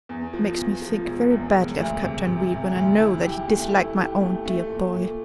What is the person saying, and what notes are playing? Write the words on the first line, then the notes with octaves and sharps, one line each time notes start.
It makes me think very badly of Captain Reid when I know that he disliked my own dear boy.
E2
F3
E2
F3
E1
E2
E1
D2
C3
C3
C3
D2
E4
G4
A3
E4
G4
A3
A3
A#2
A#2